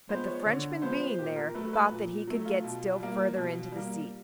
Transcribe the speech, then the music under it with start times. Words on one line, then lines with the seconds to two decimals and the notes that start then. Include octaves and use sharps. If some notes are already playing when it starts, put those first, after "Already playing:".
But the Frenchman being there, thought that he could get still further into the seat.
0.09 F3 G#3 B3 C5
0.27 C#5
0.40 D5
0.45 D3 C#5
0.82 F3 G#3 B3 C5
1.19 A#2 G4
1.36 A#4
1.54 F#3 A3 B4
1.73 B4
1.91 A#2
2.27 F#3 A3
2.46 F4
2.64 B2
3.00 G3 A#3
3.36 B2
3.72 G3 A#3